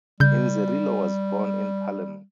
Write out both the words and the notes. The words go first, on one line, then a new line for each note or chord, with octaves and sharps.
Inzerillo was born in Palermo.
C#3 G3 G6